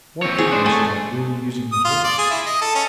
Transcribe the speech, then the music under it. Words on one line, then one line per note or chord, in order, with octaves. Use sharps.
Why couldn't you stop ill-using the horse?
C4 C#5
G#4
D4 C5
A3 G#5
D#6
F4
D5
G#4
E4
D#5
A4
C#4